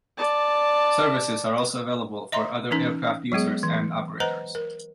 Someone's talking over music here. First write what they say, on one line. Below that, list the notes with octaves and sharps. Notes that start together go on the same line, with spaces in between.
Services are also available for other aircraft users and operators.
D5 A5
D#5 E5 A#5 C6
E3 C#4 D#4
F#3 G#3 B3 G#4
E3
B4 C5 D#5 F#5 A#5
A#4